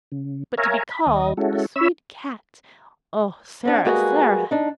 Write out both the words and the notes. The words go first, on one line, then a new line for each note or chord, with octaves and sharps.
But to be called "a sweet cat!" Oh, Sara, Sara!
C#3
A#4 C#5 E5 F5 G#5 A#5
B5
D#2 D#5
G#3 C#4 E4 F#4 A4
C#4 C#5 E5 B5 E6
C4 D4 F#5
G3 G#3 A#3 F#4 G#4 B4
D4 D#4